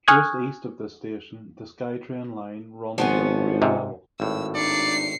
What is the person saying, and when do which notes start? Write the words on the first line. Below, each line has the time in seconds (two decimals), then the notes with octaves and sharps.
Just east of this station, the Skytrain line runs at grade level.
0.08 G#5 C#6 D#6 F6 F#6 G#6
2.98 G#1 F3 B3 C#4
3.62 G#2 C3
4.20 G#1 A2 E6
4.55 D4 D#4 D5 C7 C#7